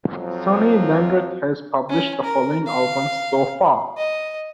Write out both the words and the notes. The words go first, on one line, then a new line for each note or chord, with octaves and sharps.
Sonny Landreth has published the following albums so far.
F2 F3 F#3
C#4
A#4
F5
D#5